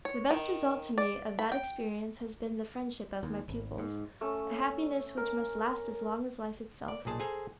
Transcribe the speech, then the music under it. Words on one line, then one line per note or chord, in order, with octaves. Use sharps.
The best result to me of that experience has been the friendship of my pupils,--a happiness which must last as long as life itself.
C#5
D#3
D5
B5
G5
D#2
G#1
G#2
A3 C#4
A#4
D5
B1 A#2 G#4 A5
G#4 A4 C5 G#5 A#5